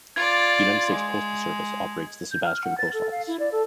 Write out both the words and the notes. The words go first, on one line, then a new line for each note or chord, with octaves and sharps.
The United States Postal Service operates the Sebastian Post Office.
F4 D5 G#6
G#3
G6
F6
F#5
A6
A4
F5
E4
D5
A4